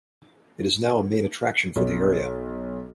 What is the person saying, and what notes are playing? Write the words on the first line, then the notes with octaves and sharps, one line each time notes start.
It is now a main attraction for the area.
B1